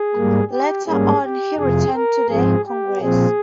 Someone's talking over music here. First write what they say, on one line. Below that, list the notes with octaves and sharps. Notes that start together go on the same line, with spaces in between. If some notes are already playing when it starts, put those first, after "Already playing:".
Later on he returned to the Congress.
Already playing: G#4
G#2 G3 A#3
G4
G#2 G3 A#3 C#4 G#4
G4
F2 C3 F3 G#4
A#4
G#2 F3 C4 G#4
G4
A#2 F3 C4 G#4